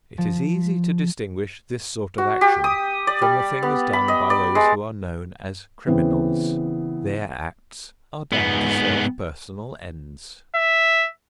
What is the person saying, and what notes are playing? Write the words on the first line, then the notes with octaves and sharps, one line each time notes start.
It is easy to distinguish this sort of action from the things done by those who are known as criminals. Their acts are done to serve personal ends.
F3
F#4
G4
D#6
D5
G3
B3
B5
D#5
D5
G#3
C#3 E3 B3 C4
G#2 B3
E5